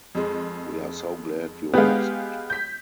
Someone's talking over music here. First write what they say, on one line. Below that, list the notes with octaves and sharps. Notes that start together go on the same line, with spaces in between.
We are so glad you asked!
F2 G#3
G#3 B3 G4 F5
G6 B6